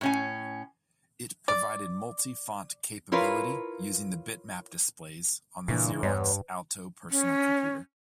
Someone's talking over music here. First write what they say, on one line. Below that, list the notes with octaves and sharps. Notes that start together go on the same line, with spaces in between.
It provided multi-font capability using the bitmap displays on the Xerox Alto personal computer.
A2 C#4 G#5
D5
E4 F4 A#4 B4 C#5 F5
A#2 C#3 E3 D4
E2 G2 B3 C#5
C#4